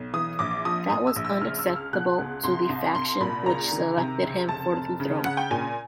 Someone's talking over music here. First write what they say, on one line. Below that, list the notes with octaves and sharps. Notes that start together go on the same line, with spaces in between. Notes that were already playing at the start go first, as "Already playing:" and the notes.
That was unacceptable to the faction which selected him for the throne.
Already playing: B1
E3 D#6
A#1 D6
F3 D#6
A#1 D#6
E6
A#1
E6
C#2 F6
E6
C#2
F6
B2 F#6
C#2
C2 C6
C2
C2 C6
A#2 B5
C#2 A#5
D#3
C3 A#5
C#2
F1 A5
F1
C#3
C#3 F#5
G5
A#2 G#5